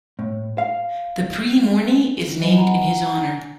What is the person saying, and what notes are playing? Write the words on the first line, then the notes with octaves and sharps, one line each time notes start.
The Prix Morny is named in his honour.
A2
F5
F#3 C5 D#5 G#5 B5
F#5 G#5 A#5